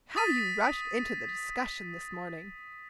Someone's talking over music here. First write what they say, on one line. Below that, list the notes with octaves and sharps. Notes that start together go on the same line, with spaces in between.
How you rushed into the discussion this morning!
D#6 A6 B6 D#7